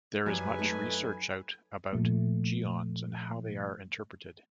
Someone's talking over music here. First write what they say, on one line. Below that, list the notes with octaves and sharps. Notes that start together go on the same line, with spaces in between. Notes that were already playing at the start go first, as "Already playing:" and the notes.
There is much research out about geons and how they are interpreted.
F#2 G3 B4 G#5
A3 D#4 A4
A#2 F3 A3